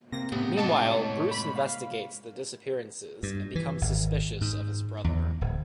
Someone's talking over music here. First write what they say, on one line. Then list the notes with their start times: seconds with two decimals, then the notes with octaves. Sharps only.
Meanwhile, Bruce investigates the disappearances and becomes suspicious of his brother.
0.12 C3 A#3 A#6
0.32 A2 C3 B3 G4
0.57 G#3 D#5 F#5 A5
0.88 C#5
1.31 B5
1.56 F5
3.23 G2
3.55 E3
3.81 G#1
4.41 G#2
5.04 E2
5.41 D1